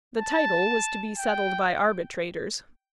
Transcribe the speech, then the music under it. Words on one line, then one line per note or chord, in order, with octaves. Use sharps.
The title was to be settled by arbitrators.
A5
G5